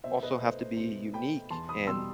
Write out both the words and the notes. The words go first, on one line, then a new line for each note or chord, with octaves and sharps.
also have to be unique, and
B2 C5 E5
B4 D#5
A3 C5
C5
B2 C5
A3 G5 B5
E2 A5 C6
B5 D#6
B2 G3 C6 E6